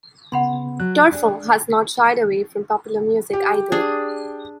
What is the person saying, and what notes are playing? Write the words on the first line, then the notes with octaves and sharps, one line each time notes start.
Terfel has not shied away from popular music either.
C#3 B3 F#5 B5 C6
F#3 F#6
D4 G#4
G4
D4 G#4